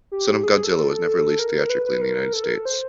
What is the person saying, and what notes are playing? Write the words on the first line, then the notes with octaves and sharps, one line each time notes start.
"Son of Godzilla" was never released theatrically in the United States.
G4
G#4
G#4
A4
A#4
B4
B4
A#4
A4
A#4
A4
C5